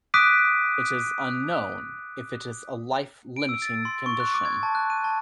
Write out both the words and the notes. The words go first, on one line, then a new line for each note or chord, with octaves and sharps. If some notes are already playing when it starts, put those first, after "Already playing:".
It is unknown if it is a life-limiting condition.
D6 D#6 F#6 B6 D7 D#7
D7
E6
A6
C6
C#6
F#6
D6
G#6
A5
F#6
D#7
A5